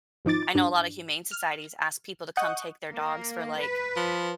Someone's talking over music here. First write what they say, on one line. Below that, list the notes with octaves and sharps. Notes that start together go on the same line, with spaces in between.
I know a lotta humane societies ask people to come take their dogs for, like,
G#1 F3 D#4 D6 A6
G2 D4
F6
D#5 F#5 C#6 D#6 F#6 G6
A#3
B4
F3